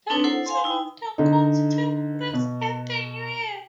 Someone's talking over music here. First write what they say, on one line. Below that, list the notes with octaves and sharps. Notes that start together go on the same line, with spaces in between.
The return of the ghosts takes place at the New Year.
C4 D4 D#4 B4 C#5
E4 A4 C5 F#5
F5 G#5 C6
D#4 E4 G5
D3 D#4
B2